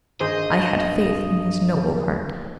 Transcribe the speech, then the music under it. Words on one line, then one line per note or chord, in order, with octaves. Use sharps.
"I had faith in his noble heart."
G2 D#3 G#4 C5 D#5